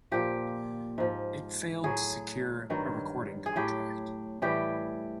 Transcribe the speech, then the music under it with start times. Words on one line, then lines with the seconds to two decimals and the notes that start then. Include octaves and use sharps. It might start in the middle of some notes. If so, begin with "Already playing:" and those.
It failed to secure a recording contract.
0.11 A#2 F3 G4
0.98 G#2 F3
1.84 A2 F#3 G#4
2.70 G2 D#3 F#3
3.46 G#4
3.56 A2 F#3 G4
4.42 A2 E3 G3 G4